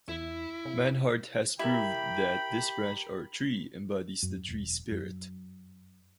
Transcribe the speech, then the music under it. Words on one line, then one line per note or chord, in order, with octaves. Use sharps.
Mannhardt has proved that this branch or tree embodies the tree-spirit.
E2 E4
C3
E4 G4 A#4 G5 B5
F#2
E1
F#2